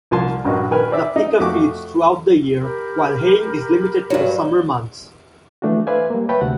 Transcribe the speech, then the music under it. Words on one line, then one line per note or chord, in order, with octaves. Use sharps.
The pika feeds throughout the year while haying is limited to the summer months.
C2 F3 G#5 A5 C6
A#1 G2 C#4 F#4 D#5
D#3 A#4 B4 G5 G#5 F6
C5 D5 E5
D#4
F2 A3 F#4 D6
G4 A#4 B5
G2 F#3
E3 F3 A3 D4 F4 F#4
B4 C5 D5 E5 F5 G#5
G3 A#3
B4 C#5 E5 G5 A5 B5
D2 C3 C4 F#4 F#5